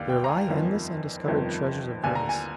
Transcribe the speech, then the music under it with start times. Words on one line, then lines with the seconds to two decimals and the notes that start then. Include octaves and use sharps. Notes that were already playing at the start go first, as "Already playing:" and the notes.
There lie endless undiscovered treasures of grace.
Already playing: D#2 D3 D5 F5
0.09 G5
0.24 A#5
0.28 G#5
0.48 G1 F2 D#3
1.26 G1 F2 D#3
2.03 D#2 D3 G#5
2.15 A#5
2.29 G#5